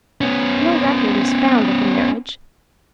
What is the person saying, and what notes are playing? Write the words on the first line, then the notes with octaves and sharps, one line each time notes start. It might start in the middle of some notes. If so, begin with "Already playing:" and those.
No record is found of the marriage.
B3 C#4